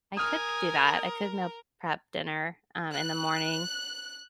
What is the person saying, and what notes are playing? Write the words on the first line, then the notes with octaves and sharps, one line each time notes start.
I could do that. I could meal prep dinner, um, in the morning,
A#4 G#5 D#6 F6
F#6